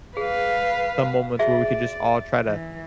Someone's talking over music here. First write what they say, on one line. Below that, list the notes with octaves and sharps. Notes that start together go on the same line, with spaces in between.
some moments where we could just all try to
G#4 B4 F5
F#4 G#4 D5 E5
E3